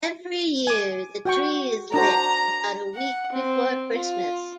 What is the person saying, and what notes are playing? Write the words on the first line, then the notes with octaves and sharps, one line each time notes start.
Every year, the tree is lit about a week before Christmas.
G#5 D6
F#4 G5 C#6
D4 F#4 C5 A#5
F#5
C4
F4